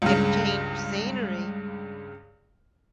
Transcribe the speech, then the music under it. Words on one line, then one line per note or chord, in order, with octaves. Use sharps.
get a change of scenery,
C#2 G2 C#3